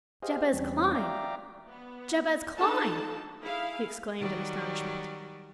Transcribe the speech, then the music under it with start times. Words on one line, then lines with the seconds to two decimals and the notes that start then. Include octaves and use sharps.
"Jabez Clyne!--Jabez Clyne!" he exclaimed in astonishment.
0.23 G4 G#4 C5 D#5 F5
0.53 E2 G3 C4 C#4
0.95 D5 E5 F5 G5 A#5 D6
1.68 B3
2.57 D4 D#4 F4 A4 A5
3.41 E4 G#4 F5
4.18 D#3 F#3 G3